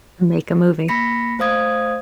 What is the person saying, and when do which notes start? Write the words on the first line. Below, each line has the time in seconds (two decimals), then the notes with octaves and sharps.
And make a movie.
0.88 A#3 B5 A#6 B6 C#7
1.39 A3 C5 F5 D#6 G#6